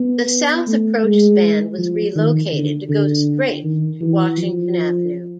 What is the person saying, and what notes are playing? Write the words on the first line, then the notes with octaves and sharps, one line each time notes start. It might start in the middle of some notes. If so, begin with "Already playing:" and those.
The south approach span was relocated to go straight to Washington Avenue.
Already playing: B3
A3
G#3
F3
D#3
D3
D3
D#3
E3
F3